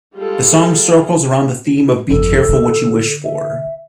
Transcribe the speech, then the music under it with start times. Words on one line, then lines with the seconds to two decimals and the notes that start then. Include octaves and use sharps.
The song circles around the theme of "be careful what you wish for".
0.15 G3 G#3 F4 A4
2.10 G1 F2 A4
2.49 D3
3.24 E5